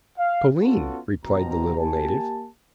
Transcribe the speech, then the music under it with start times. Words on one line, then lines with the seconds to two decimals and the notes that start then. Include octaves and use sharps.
"Toline," replied the little native.
0.16 F5
0.60 B3 C#4 F4 F#4 A4
1.24 D#2 B2 F3 C4 A#5
1.77 A#3 G4 G#5 A5